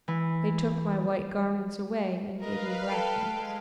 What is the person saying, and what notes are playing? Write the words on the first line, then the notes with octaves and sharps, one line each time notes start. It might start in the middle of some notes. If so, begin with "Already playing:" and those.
They took my white garments away and gave me black ones.
E3
A#4 B4 D#5 F5
A4 G5
G#3